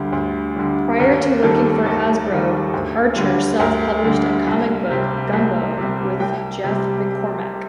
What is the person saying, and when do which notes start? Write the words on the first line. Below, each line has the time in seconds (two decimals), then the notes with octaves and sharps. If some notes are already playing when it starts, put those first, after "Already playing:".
Prior to working for Hasbro, Archer self-published a comic book, "Gumbo", with Jeff McCormack.
Already playing: D2 D3 G3
0.12 D2
0.56 D3 G3
0.99 D#2 A#4
1.43 D#3 G3 A4
1.65 A4
1.86 D#2 A4
2.30 D#3 G3
2.74 D2
3.16 D3 G3
3.60 D2 A#4
4.03 D3 G3
4.47 C2
4.91 C3 G3
5.33 C2
5.78 C3 G3
6.20 C2 G5
6.64 C3 G3